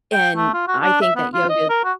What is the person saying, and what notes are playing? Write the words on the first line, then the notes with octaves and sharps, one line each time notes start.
and I think that yoga
G5
A3
F4
F#4
D4
E5
B3
F4
D#5
A#4
F#4